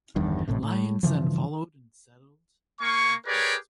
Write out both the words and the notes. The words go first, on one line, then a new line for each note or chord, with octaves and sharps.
Lyons then followed and settled in Saint Francisville.
G1 E2 G2 D#3
A1 A2 C3
A2
G2 C#3 E3 F3
A#3 F5 G#5 C#6
G4 G#4 A#4 B4 C#5 D5